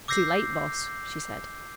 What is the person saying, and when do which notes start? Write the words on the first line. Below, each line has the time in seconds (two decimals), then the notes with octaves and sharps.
"Too late, Boss," she said.
0.08 D6 E6 G6 A#6 C7